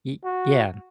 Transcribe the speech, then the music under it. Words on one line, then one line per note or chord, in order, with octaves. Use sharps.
Ye Yeah.
F#4